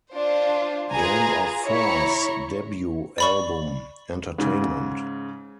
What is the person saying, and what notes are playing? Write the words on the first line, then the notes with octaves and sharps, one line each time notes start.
Gang of Four's debut album Entertainment!
D4 F4 C5
F4 G#4 B4 G#5 A#5
E4 C#5 A#5 B5 C#6
D5 B5 C#6
G#2 C#3